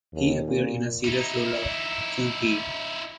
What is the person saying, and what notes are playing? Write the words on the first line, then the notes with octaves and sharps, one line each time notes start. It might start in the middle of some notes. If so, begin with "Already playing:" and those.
He appeared in a serious role in Kyun Ki.
D#2
A#2
D#4 E4